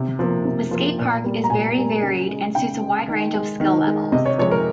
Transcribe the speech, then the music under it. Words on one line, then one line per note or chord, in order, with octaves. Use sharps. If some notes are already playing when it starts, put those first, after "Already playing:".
The skatepark is vary varied and suits a wide range of skill levels.
Already playing: C3
F3 A#3
C3
F3 A#3
A#2
G3 A#3
A#5
A#2 G#5
G3 A#3
C#3
G#3
C#3 G5
G#3
D#3
G#3
D#3
G#3
C3 D#5
C#5
F3 G#3 C#5
A#4